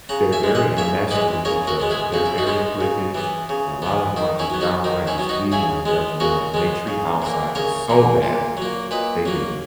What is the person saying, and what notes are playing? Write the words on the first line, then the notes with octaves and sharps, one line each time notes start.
they're very enmeshed with each other. They're very cliquish, and a lot of them are just downright, just, evil and judgmental, and they treat outsiders so badly, they do,
C#3 F#5 A#5
E5 G#5
E3 G#3
D#5 F#5
C#3 C#5 E5
E3 G#3 B4 D#5
C#3 A#4 C#5
F#4 A#4
G#3 B3
E4 G#4
C#3 F#4
E4
D#4 F#4
G#3 B3
C#3
E3 B3
C#3
E3 B3
D#3 D#4
C#4 E4
F#3 B3
D#4 F#4
D#3 D#4
C#4 E4
F#3 B3
D#4 F#4
C#3 E4 G#4
G#3 B3
C#3 F#4 A#4
G#3 B3
C#3
E3 A#3
C#3 A#4 C#5
E3 A#3
A#2
F#3
A#3
A#2 B4 D#5
F#3 A#3